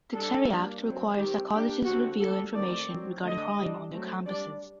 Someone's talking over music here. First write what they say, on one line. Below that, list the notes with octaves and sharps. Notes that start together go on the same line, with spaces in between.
The Clery Act requires that colleges reveal information regarding crime on their campuses.
G3 D4 A4
G3 A#3 D4
F#3 C4
D#3 G3 C4 G4
G3 A#3 D4 G4
D3 A3 C4 F#4
G3 A#3 D4 A4
D#3 A3 C4 D5
F#3 C4
D3 A3 D4 D#5
G3 D4
F#3 A3 C4
G3 D4 D5